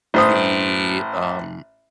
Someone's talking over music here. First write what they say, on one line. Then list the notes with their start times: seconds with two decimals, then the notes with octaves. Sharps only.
The um
0.14 A1 C5 D#6